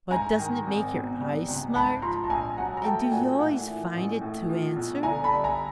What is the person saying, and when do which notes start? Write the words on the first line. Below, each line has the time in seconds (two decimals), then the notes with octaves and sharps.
But doesn't it make your eyes smart? and do you always find it to answer?'
0.11 G#2 G#5 A#5
0.39 D#3
0.66 G#1
0.93 B2
1.21 G3
1.48 C#2
1.75 G#2 A5 B5
2.02 F3 A#5 C6
2.24 A5
2.30 A#1 G#5 A#5
2.57 F#3 F#5 G#5
2.77 A#5
2.84 A3 G5 A5
3.12 A#2 F#5 G#5
3.39 A2 F#5 G#5
3.67 E3
3.94 A1
4.21 A2
4.49 F3
4.76 B1
5.03 D3 G#5 A#5
5.24 A5 B5
5.31 G3
5.44 G#5 A#5